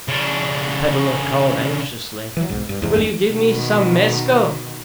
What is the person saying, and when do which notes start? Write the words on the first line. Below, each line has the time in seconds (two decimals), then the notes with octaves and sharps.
The peddler called anxiously, "Will you give me some mescal?"
0.08 C#3 D4
2.37 E3 F#3
2.50 B1 G#2
2.69 G2
2.82 E2 G#2 C3
2.95 G#1 E2 G2 G#3
3.27 B2 D#3